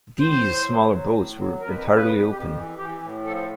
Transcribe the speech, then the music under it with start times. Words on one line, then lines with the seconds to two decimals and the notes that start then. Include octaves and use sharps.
These smaller boats were entirely open.
0.19 A2 C5
0.43 A2
0.66 F#3
0.89 F#3
1.14 A2
1.37 F#3
1.60 F2 A#4
1.69 B4
1.78 A#4
1.84 C#3
1.96 B4
2.08 F2
2.31 F2 G4
2.55 E3
2.78 E3 G4
3.02 A2
3.26 F3 A4